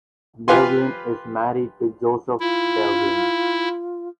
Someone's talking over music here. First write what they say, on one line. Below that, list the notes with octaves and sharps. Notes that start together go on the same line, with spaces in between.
Devlin is married to Joseph Devlin.
F4 G4 B4 F5 G#5 C6
E4 F4